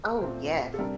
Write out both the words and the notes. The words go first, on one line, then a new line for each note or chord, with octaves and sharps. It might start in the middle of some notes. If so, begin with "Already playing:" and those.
Oh, yes.
A#4
A#2 A3 C4 C5
A4
C3 G3 D4 A#4